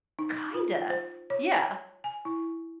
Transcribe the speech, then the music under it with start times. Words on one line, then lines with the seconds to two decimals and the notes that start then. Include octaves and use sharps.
Kinda. Yeah.
0.19 D#4
0.54 F4
0.90 C5
1.30 C#5
1.57 G5
2.04 G#5
2.25 E4